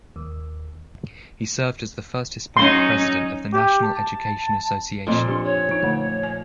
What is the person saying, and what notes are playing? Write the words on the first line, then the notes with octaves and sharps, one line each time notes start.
He served as the first Hispanic president of the National Education Association.
D#2
F#3 C#4 D#4 C6
G4
A5
F2 A#2 C6
D4 G4
C#5
D#4
D3 A3
G#5